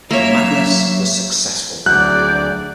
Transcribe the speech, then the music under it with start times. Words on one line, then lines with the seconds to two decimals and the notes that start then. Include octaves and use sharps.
And Magnus was successful!
0.11 F#3 A#3 C#5 E5
1.86 D2 F#3 G#4 D5 F#6 G6